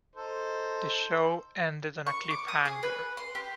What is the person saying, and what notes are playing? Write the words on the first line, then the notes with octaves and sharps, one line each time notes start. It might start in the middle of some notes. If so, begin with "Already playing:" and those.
The show ended on a cliffhanger.
D#4 A4 C5
C#6
D6
D#6
G#4
B4
C6
G4